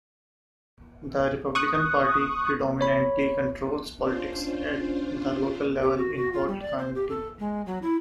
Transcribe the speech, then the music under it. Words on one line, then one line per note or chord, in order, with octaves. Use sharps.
The Republican Party predominantly controls politics at the local level in Holt County.
C#6 D#6 F#6
C#5 B5
C#4 D4 F4 C5
G4
F#4
F#4
F4
G3
D5
C5
G4
A4
G#3
F#3
E4